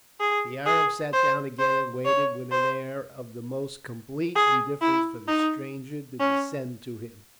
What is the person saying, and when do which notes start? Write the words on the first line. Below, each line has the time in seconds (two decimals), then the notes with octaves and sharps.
The Arab sat down again and waited with an air of the most complete indifference for the stranger to descend to him.
0.20 G#4
0.66 G#4
1.13 C5
1.59 C5
2.05 C#5
2.51 C5
4.35 G#4
4.82 E4
5.28 D#4
6.20 C#4